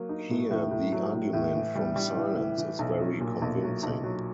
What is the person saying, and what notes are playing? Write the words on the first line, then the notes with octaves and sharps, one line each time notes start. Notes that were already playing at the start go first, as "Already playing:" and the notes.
Here the argument from silence is very convincing.
Already playing: F#3 A#3
D#4
A2
A2
A2
F#3
A2
A2
E3
G3
G3
E3
E3
E3
B1
F#3
A#2
B1
F#3
B1
F#3